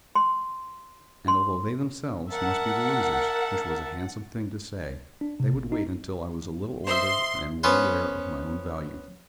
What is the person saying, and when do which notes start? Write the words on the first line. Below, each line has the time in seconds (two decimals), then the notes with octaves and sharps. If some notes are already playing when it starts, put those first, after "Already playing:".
And although they themselves must be the losers--which was a handsome thing to say--they would wait until I was a little older and more aware of my own value.
0.15 C6
1.28 C6
2.32 A#4 E5 F#5 A5
5.21 D4
5.40 C3
5.53 G#1
5.72 D#4
6.87 C5 D#5 E5 C6
7.63 B3 C#4 B4 C5